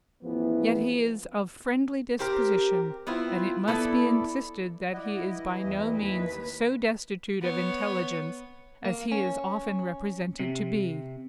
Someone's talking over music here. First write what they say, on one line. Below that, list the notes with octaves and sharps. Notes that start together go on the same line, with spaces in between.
Yet he is of friendly disposition, and it must be insisted that he is by no means so destitute of intelligence as he is often represented to be.
A1 E2 E3 F3 B3
C4 G4 A#4
B3 C4 E4 F4
B3 E4 A4 D5
E4 D5 D#5 F#5
G2 E3
E2
D#2 B4
B3 C#5
A#3
C#4
C3